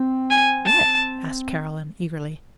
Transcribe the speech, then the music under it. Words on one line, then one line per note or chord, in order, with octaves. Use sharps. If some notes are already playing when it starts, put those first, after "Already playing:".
"What?" asked Caroline, eagerly.
Already playing: C4
G#5
A5